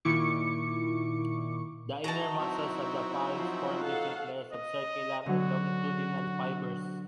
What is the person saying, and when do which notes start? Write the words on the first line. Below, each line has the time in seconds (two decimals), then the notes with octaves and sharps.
The inner muscles of the pharynx form different layers of circular and longitudinal fibers.
0.05 A#2 D#3 E4 C#6 D6 C#7
2.04 E3 D#4 F#4 G#4 A5 A#5
2.39 F#3 C4 E4
3.35 F3
3.81 A4 F5 F#5
4.52 D#5
5.26 D3 F#3 F#4